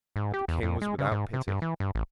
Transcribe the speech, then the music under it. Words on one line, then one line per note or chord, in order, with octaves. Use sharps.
But the King was without pity.
G#2
G4
E2
F2
G#3
C#3
G#2
C3
G2
E3
G2
A1